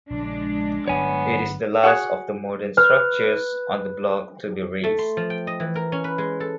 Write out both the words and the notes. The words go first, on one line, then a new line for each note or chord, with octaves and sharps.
It is the last of the modern structures on the block to be razed.
A#1 C#3 G#3 D4
G1 F#3 B3 C#5 G#5
F#4 G#4 C#5 F#5
B4 F6
A3
C6
F3
G5
D#5
E3
A#4
C#4
B4
G#3
A4